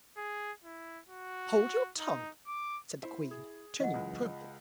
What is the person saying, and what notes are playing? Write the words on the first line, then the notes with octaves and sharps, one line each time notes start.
'Hold your tongue!' said the Queen, turning purple.
G#4
E4
F#4
D#4
D6
E4 C5 E5
G#4
F#2 E3 D#5 F#5
C#2 G#3